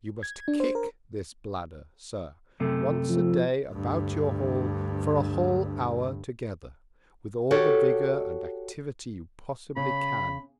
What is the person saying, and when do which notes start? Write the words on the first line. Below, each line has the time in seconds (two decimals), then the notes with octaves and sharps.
You must kick this Bladder, Sir, once a Day about your Hall for a whole Hour together, with all the Vigour and Activity you possibly can.
0.23 G#6
0.48 D4
0.60 C5
0.75 A#4
2.60 F#2 C3 A3
3.09 F3
3.71 D2 G2
7.51 F#4 G4 A4 C#5
9.76 C#3 B5